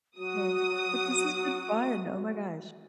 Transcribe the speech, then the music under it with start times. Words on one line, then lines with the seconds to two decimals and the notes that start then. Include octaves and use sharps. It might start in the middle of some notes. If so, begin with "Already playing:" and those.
Eh, but this has been fun, oh my gosh.
0.18 F#3 F#4 D#6